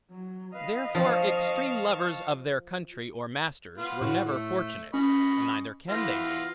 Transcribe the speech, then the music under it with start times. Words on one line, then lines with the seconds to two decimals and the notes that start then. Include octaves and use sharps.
Therefore extreme lovers of their country or masters, were never fortunate, neither can they be.
0.11 F#3
0.54 B4 D#5 F5
0.95 F3 A5 C#6 F6
3.78 B3 F4
4.01 A2 B3 F4 F#4
4.26 A3
4.94 C#4 D#5 B5 C#6
5.89 E3 B3 F4 A#6